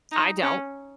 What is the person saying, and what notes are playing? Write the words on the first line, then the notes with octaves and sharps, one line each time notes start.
I don't.
D#4
C#4